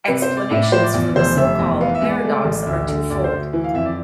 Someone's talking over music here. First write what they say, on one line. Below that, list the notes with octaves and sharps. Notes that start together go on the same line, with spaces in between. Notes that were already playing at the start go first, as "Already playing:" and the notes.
Explanations for the so-called paradox are two-fold.
C3 B4
C5
C3
D5
A2 E5
D5
F3 C5
D5
E2 D5
F1 C5
F1 E5
E2
B3 F5
E5
G#3
D5
A3
A1
D2
D3
D2 D5
C5
D2
E3
F5
F2 E5
D5